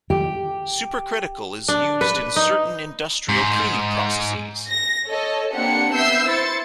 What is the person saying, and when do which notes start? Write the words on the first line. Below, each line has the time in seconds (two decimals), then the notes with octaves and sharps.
Supercritical is used in certain industrial cleaning processes.
0.10 G4
1.68 D4
2.01 B4
2.36 D#4
3.29 G#2
4.69 A#6
5.07 A4 C#5 D#5
5.54 A#3 C4 D4 G4 F#5 C#7
5.94 B3 E5 E6 G6 C7
6.26 E4 C5 A6 C#7